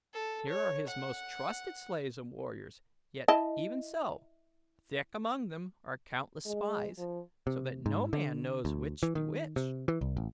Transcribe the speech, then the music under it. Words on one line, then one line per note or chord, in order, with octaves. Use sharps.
Here are his most trusted slaves and warriors, yet even so, thick among them are countless spies, so that no man knows which be which.
A4
C#5
F#5
E4 D#5 A5
G#3
F3
C3
G#2
D3
D2
E3
D#3
C3
E3
C2
A1